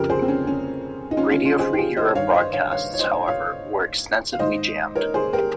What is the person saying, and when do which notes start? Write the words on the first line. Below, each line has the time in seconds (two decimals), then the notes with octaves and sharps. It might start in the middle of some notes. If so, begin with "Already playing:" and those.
Radio Free Europe broadcasts, however, were extensively jammed.
Already playing: F2 C#3 F3 G4 A#4
0.10 G#4 C5
0.22 C4
0.28 C#4
0.47 C#4
1.11 D#4
1.17 C#4 F4
1.31 C#4 F4
1.45 C#4 F4
1.59 G#4 C5
1.73 G4
1.78 F4 G#4
1.97 C5 D#5
2.15 G2 D#3 C#5 F5
2.34 C5 D#5
2.53 C#5 F5
2.71 C#5 F5
2.94 C#5
2.99 C5 D#5
3.28 C#5 F5
4.33 F5
4.39 G#2 D#3 C5 D#5
4.95 A#4 C#5
5.14 G#4 C5
5.33 G4 A#4